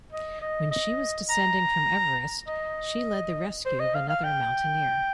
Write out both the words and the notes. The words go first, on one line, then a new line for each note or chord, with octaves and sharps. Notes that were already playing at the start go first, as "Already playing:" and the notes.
When she was descending from Everest she led the rescue of another mountaineer.
D#5
D#5
D#5
A#5
D#5
C5
D#5
F5
F5
G5